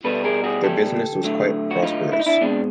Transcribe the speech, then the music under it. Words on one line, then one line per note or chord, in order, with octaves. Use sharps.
Their business was quite prosperous.
B2 G3 A4 B4
G#4 A#4
F#4 G#4
G4 A4
D3 F#3 A3
F#4
D#4 F4
E4
D#4
D4 E4
B2 G#3 C4 D4